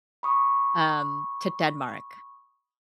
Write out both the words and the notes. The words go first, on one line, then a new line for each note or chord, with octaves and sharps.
um, to Denmark,
B5 C#6 D#6